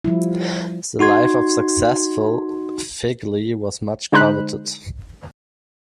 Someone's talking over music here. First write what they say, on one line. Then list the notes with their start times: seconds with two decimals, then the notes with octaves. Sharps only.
The life of successful "figlie" was much coveted.
0.04 F3 G3 E4
0.99 D#4 F#4 C6 G#6
4.12 D3 G#3 D#4 C5 B5 F#6